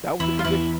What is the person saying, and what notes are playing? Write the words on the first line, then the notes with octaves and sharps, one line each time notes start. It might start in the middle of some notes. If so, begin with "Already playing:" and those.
That was the condition.
E2 E4
F4
E2 E4